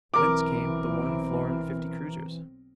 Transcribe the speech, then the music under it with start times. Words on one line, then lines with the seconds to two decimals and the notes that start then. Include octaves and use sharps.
Whence came the one florin fifty kreuzers?
0.14 B1 E3 C4 A#4 D6